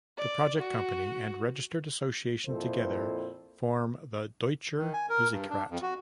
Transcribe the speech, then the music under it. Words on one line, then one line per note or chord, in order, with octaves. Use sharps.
The project company and registered association together form the Deutscher Musikrat.
D5
F#4
F2 A#2 E4 A4 C5
D#3
G#5
A#4
G2
D4
F2
F#4